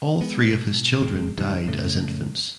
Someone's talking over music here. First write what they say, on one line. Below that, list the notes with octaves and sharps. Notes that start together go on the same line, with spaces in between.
All three of his children died as infants.
G#3 B3
B2
D#1 E2 G#3 C4
E2 G2 C3 D#3
F2 A2 C#3 A3